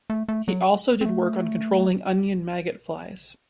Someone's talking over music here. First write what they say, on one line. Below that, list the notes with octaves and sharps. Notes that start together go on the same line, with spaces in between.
He also did work on controlling Onion maggot flies.
A3
A3
F#3
C4
A3